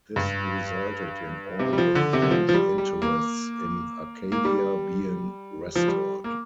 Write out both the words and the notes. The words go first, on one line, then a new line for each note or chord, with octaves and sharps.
This resulted in all the French interests in Acadia being restored.
G2
C3
G3
F3
D3
C3
D3
F3
F3
G3
G3
A#3
A#3
G3
F3
G3
A#3